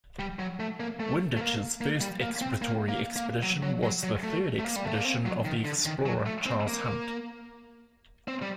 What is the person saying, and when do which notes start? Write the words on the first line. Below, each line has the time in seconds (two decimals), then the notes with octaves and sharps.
Windich's first exploratory expedition was the third expedition of the explorer Charles Hunt.
0.19 G3
0.39 F#3
0.60 A3
0.80 A#3
1.00 A3
1.37 A3
1.41 A#3
1.81 A#3
2.01 G3
2.21 A#3
2.42 C4
2.62 A#3
2.89 A#3
3.16 A#3
3.43 F#3
3.63 F#3
3.83 F#3
4.03 F#3
4.24 A3
4.59 A3
4.65 A#3
4.76 G3
4.85 A3
4.95 A#3
5.05 C4
5.25 F#3
5.45 D#3
5.65 D3
5.86 D#3
6.06 F#3
6.26 A3
6.46 C4
6.67 A#3
8.28 C4
8.42 G3